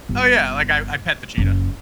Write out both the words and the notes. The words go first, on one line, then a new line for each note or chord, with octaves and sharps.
Oh yeah, like I I pet the cheetah.
G1
F#1